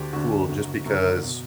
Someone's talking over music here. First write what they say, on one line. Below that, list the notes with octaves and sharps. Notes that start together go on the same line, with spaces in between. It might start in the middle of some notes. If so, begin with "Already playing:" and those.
cool just because
Already playing: D2 D3 G4
D2 D3 F#4
F#1 F#2 D3
F#1 F#2 D3
B2